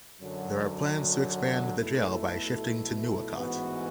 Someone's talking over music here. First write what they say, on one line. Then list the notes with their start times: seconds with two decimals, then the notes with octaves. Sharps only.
There are plans to expand the jail by shifting to Nuwakot.
0.22 F#2 D3 F#3
1.78 B1 B2 A3 E4 A4
3.34 A1 G#2 E3 B3 F#4